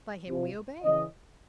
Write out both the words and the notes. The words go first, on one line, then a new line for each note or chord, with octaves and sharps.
"By him we obey."
C3 F3
C#3 E3 D#5